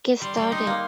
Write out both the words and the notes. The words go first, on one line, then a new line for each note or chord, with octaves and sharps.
Get Started!
G3 C6
G3
D#4
A#3